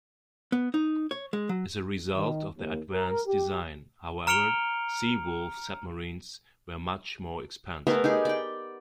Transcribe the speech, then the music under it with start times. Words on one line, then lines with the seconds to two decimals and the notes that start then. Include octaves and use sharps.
As a result of their advanced design, however, "Seawolf" submarines were much more expensive.
0.52 B3
0.74 D#4
1.11 C#5
1.33 G#3
1.49 F#3
2.16 D#3
2.57 D#2
2.93 A#4
3.27 G4
4.27 A#5 F6 C#7 D7 F7 G7
7.87 A3 B3 G#4 A#4
8.04 D#4 G4 G#4
8.25 D5 G5